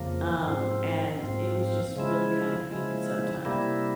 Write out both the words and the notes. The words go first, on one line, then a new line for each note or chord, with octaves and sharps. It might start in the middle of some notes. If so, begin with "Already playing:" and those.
um, and it was just really kinda creepy sometimes.
Already playing: F2 C#3 F3 A#3
G#2 F3 C4
G#2 F3 C4
C#3 F3 G#3 E4
C#3 F3 G#3 E4
C3 G3 A#3 E4